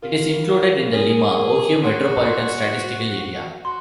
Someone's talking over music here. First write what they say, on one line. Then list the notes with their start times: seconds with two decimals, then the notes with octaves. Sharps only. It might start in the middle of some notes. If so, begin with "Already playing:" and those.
It is included in the Lima, Ohio Metropolitan Statistical Area.
0.03 F4 A#4
0.48 F4 A#4
0.93 G#4 A#4
1.39 A#4
1.84 F#4 C6
2.28 C6
2.75 C5
3.19 F#5
3.65 F#4 C6